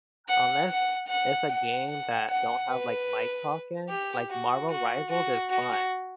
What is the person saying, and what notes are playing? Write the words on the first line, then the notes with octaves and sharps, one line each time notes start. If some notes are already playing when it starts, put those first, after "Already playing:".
unless it's a game that don't have like mic talking, like Marvel Rivals is fun,
F#5
F#5
F#5
F#5
F#5
F#5
B4
G4
F#4
F#4
F#4
F#4